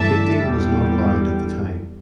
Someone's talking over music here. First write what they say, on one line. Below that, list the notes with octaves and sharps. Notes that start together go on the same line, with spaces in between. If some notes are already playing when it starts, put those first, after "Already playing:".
Painting was not allowed at the time.
Already playing: G2 E3 A3 D4 E5 A5
E2 D3 G3 G4